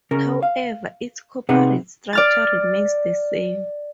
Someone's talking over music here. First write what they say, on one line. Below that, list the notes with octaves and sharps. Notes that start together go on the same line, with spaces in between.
However, its corporate structure remains the same.
C#3 C#4 A#4
F5
C3 C4 D#4 G#4 B4 F#5
D5 F6 A6